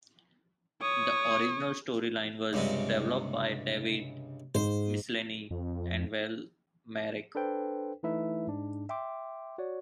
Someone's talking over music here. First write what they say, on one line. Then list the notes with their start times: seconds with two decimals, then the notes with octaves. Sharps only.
The original storyline was developed by David Michelinie and Val Mayerik.
0.82 C#5 D#6
2.53 C#2 G2 C3
4.55 G#2 C5
5.51 F2
7.35 D4 A4 B4 C5 G5
8.03 E3 A3 D#4 E4 B4 E5
8.47 G#2 D4
8.89 E5 G5 C6 D6
9.58 F#4 C#5 D5